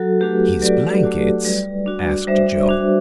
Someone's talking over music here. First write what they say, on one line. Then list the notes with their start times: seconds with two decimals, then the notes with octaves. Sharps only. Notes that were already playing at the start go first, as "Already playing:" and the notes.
"His blankets?" asked Joe.
Already playing: F#3 F#4 A4
0.20 A3 D4 F#4 G4 B4
0.62 F#3 B4 D5
1.03 A3 D4 F#4
1.45 G3
1.86 D4 F#4
2.27 G3 C5 E5
2.69 D4 F#4